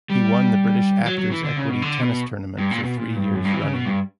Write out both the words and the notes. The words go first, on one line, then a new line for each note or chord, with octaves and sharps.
He won the British Actors Equity Tennis Tournament for three years running.
G3
E3
F#3
F#3
E3
D3
C#3
B2
D3
B2
G2
A#2
B2
A#2
G2
F#2
G2
E3
C#3
B2
G2